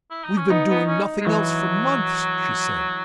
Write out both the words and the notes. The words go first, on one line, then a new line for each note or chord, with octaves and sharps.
We've been doing nothing else for months,' she said.
E4
D#4
C#4
B3 D#4
B3
C#4
G#3
E3 F#3